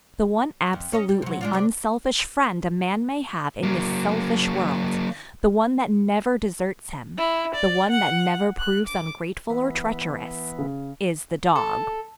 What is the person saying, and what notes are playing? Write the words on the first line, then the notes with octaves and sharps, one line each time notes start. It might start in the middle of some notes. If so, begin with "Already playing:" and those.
The one absolutely unselfish friend a man may have in this selfish world, the one that never deserts him, the one that never proves ungrateful or treacherous, is the dog.
F2
C#4 D#5
G3
C3 F#3
G#3 D4 F4
C3 D4
F#3 A#3
E4
D5
F#5
F#6
D6
E3 B3
C#3
A4